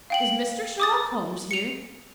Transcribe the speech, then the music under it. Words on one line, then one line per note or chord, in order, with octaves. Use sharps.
"Is Mr. Sherlock Holmes here?"
F5 G5 F#7
D6 D#6 A6
C#7 F7